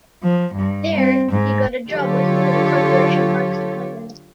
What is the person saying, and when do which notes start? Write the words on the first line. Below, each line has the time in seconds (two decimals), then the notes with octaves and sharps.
There, he got a job working for the Corporation Parks Department.
0.23 F3
0.54 G2
0.95 C4
1.31 G#2
1.92 D3 F#3 F4 G4 A4 C#5